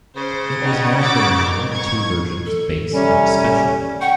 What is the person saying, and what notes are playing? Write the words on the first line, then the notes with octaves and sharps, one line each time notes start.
It was now available in two versions, base and Special.
C#3 C5
G3 D#4 F#5
F#5 D6 E6
F2 A#4
C#6 G#6
A4
C3 G3 C#4
F#5 G5 C#6